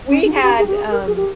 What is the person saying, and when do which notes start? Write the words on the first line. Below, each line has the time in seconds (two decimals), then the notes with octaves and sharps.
We had, um
0.09 C#4
0.25 D#4
0.35 G#4
0.42 G4
0.58 G#4
0.68 G4
0.75 G#4
0.91 A#4
1.07 G#4
1.16 G4